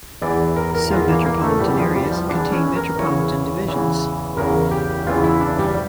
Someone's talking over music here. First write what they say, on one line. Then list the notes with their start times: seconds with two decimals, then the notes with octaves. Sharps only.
Some metropolitan areas contain metropolitan divisions.
0.21 E2 E3 D5
0.56 A#4
0.75 A#4
0.91 E2 E3 F4
1.09 A#3
1.26 A#3
1.44 A3
1.60 E2 E3 G3
1.71 G3
1.78 F3
1.95 G3
2.12 F3
2.29 E2 E3 D4
2.52 C#4
2.76 A#4
2.99 E2 C#3 E3 C#5
3.68 E2 C#3 E3
4.37 E2 C#3 E3 A#4
4.71 G4
5.07 E2 C#3 E3 F4
5.24 E4
5.41 D4
5.59 G3